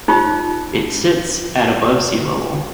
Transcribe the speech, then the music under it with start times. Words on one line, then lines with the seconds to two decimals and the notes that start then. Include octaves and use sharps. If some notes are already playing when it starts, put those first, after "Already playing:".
It sits at above sea level.
0.08 D#4 F4